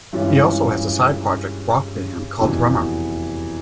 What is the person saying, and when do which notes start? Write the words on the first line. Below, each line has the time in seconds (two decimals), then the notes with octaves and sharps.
He also has a side-project rock band called Drummer.
0.13 G2 E3 G#3 C#4 F4
2.39 F1 E2 B2